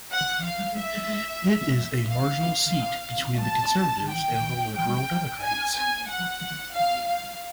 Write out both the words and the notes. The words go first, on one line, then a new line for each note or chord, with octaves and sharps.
It is a marginal seat between the Conservatives and the Liberal Democrats.
F#5
F5
E5
F5
A5
G5
G5
G#5
G#5
F#5
F5
F5